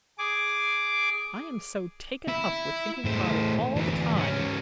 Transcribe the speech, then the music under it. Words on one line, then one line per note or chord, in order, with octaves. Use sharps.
I am so taken up with thinking about it all the time.
G#4 D6
E4
A2 C5
D2 E3
G#2 C#4